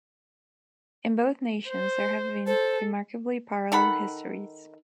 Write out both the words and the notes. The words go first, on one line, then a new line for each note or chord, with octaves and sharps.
In both nations there have been remarkably parallel histories.
C5
A4 C5
D#3 A4 F#5 B5